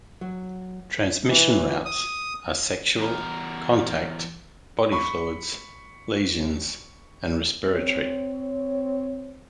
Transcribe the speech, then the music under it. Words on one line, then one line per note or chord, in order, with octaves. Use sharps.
Transmission routes are sexual, contact, body fluids, lesions, and respiratory.
F#3
E3
D#6
E2 A#4
B5 C#6
C4 C#5